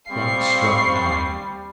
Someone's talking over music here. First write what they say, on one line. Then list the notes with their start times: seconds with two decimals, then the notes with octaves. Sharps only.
The clock struck nine.
0.10 G3 C4 F5 C#6 C7